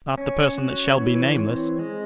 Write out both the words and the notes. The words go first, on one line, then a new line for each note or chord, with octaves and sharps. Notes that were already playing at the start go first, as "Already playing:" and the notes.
Not the person that shall be nameless.
C#4 C#5
F#4
E3
C4
C#5
G#3 D#5